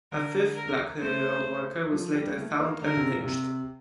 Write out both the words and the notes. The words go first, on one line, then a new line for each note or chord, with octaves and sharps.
A fifth black railroad worker was later found and lynched.
D3 A#4
A#4
A3 C5
F3
G3
A#3
A3
A#3
D3 A#4
C3
A#2
C3